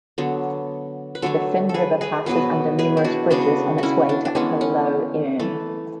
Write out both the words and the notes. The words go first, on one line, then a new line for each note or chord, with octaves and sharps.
The Finn River passes under numerous bridges on its way to Upper Lough Erne.
D3 F#3 B3
B4
D3 F#3 A3 A4 C#5
A4
G#4 B4
G#4 B4
B2 F#3 B3 G#4 B4
G#4 B4
E4
D4 F#4
C#3 G#3 B3 D4 F#4
C#4 E4 F#4
D4
D4
E3 G#3 B3 C#4
C#4
E3 A3